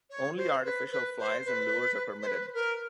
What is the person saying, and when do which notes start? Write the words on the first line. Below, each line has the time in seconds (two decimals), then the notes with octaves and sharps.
Only artificial flies and lures are permitted.
0.10 C#5
0.36 C5
0.64 B4
0.90 B4
1.18 C5
1.45 B4
2.21 C5
2.27 B4
2.54 A#4